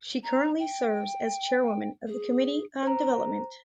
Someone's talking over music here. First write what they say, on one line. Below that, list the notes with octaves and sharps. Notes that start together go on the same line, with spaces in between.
She currently serves as chairwoman of the Committee on Development.
A#5
G5
G#4
C5 A#5